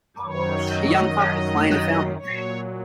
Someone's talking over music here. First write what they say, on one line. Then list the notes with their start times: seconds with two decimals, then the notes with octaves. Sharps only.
A young couple play in a fountain.
0.23 F#2 D#3 F#3 C#5
0.72 D#5
2.16 A#2 F#3 C#5